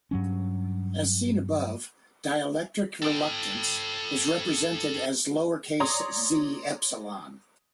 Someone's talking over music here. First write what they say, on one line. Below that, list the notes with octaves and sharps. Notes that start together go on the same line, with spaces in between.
As seen above, dielectric reluctance is represented as "lowercase z epsilon".
G2 F#3 C#4
A4 G5
C#5 D5 A#5 C6 D#6